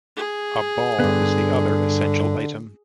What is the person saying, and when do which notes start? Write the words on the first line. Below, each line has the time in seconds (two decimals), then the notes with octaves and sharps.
A ball is the other essential item.
0.16 G#4
1.00 G2 D3 B3